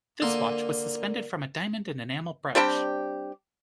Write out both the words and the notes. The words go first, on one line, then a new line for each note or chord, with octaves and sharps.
This watch was suspended from a diamond and enamel brooch.
D3 A#3 C6 D#6
G3 C4 D4 G4